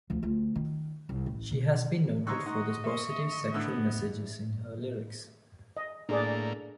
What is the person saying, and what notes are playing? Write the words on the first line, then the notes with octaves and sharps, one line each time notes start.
She has been noted for the positive sexual messages in her lyrics.
D2 F3
D2 F4
D#3
C2
A1
B2
D#4 C#5 D#5 A#5 C6 C#6 E6 F#6
D#4 F#4
A#3 E5 C6 C#6
A2 D3 B3 E6
D#5
A2 A#3 D4 G#4 D5